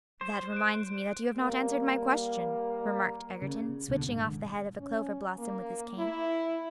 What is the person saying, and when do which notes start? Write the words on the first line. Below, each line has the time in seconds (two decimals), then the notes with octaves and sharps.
"That reminds me that you have not answered my question," remarked Egerton, switching off the head of a clover-blossom with his cane.
0.21 C5
0.52 F#6 D7
1.35 G3 A#3
3.42 C#3
3.88 C2 B2 D3
4.08 G#2 D#3
4.79 C#4
5.38 A#3
5.98 E4